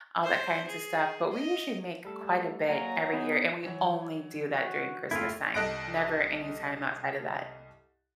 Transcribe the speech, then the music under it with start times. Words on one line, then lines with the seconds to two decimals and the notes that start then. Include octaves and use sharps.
all that kinds of stuff, but we usually make quite a bit every year, and we only do that during Christmastime. Never any time outside of that.
0.23 C5
0.68 G#4
1.32 D#5
2.05 G3 A3 A4
2.68 F#3 A#3 G#5 A#5
3.13 B3 D#4 E4 G#4
3.63 E3 F#3
4.53 F#4
5.11 F#1 D#2 A2 E4 F4 A4
5.54 C2 A4 D#5 F#6 A#6 D7